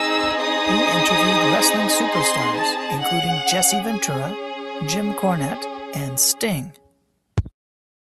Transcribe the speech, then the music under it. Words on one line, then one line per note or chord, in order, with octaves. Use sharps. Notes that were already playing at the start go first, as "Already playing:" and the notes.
He interviewed wrestling superstars, including Jesse Ventura, Jim Cornette, and Sting.
Already playing: C4 D#4 G#4 E6
D#6
C6
A5
C#4 G#4 F#5
G#5